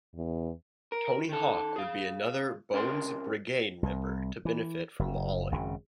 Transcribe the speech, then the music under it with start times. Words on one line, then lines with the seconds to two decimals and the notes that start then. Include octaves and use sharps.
Tony Hawk would be another Bones Brigade member to benefit from the ollie.
0.15 E2
0.92 A#4
1.29 D#3 A4
1.76 G#4 F5
2.73 C2 C#4 A#4 B5 C6
3.83 C2
4.45 E3
4.99 F#1
5.52 G#1 F#2 C#3